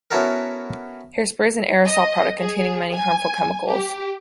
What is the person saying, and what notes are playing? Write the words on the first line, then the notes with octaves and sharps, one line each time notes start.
Hairspray is an aerosol product containing many harmful chemicals.
B3 C#4 E4 F#4 A4 A#4
D#5
G#4
G#5
G4